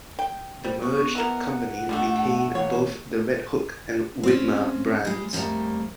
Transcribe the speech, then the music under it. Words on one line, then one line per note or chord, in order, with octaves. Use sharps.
The merged company retained both the Redhook and Widmer brands.
G5
G3 C5
B3 C#6
E3 A#4 F#5
A2 D3 G3 A3
A#2 E3 A#3 C#5
C4 C#4
G3 G#3
F2 F3 G3 A3 A#3